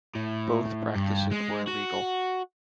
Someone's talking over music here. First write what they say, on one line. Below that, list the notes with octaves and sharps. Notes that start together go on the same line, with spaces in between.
Both practices were illegal.
A2
G2
G#3
F#4